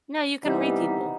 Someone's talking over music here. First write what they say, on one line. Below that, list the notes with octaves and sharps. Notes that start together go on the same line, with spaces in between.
No, you can read people.
C3 E3 G3 B3 D#4